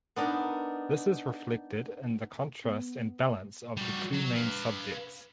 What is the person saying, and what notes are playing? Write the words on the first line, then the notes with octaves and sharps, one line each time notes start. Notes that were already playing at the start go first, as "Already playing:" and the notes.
This is reflected in the contrast and balance of the two main subjects.
B3 D4 D#4 A#4
B3
G3 F#4
F#3
B4 F5